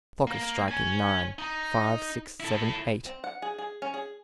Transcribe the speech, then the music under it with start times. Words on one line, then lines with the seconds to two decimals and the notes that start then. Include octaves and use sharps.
The clock is striking nine; five, six, seven, eight!
0.27 A#3
0.68 C#5 G#5
1.39 D#4
2.40 E4 A4
3.06 C4
3.24 F#5
3.42 G#4
3.58 G#4
3.82 C#4
3.94 G#4